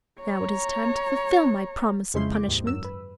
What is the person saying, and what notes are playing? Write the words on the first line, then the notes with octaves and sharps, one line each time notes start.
Now it is time to fulfill my promise of punishment.
C#5 A#5
F2 C#3 G#3 E4 C6 G6
D6
D#2 G#2
F#2 E6
B4